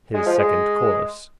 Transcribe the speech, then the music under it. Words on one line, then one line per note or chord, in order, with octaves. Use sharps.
His second course.
G#3
F3
G#3